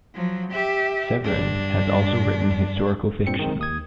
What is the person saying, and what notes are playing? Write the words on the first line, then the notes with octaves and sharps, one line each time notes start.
Severin has also written historical fiction.
F3 F#3
G4 E5
G2 D4
G2 A#2 C4 C#7
D#3 G#3 C4
D#2 D#6 G#6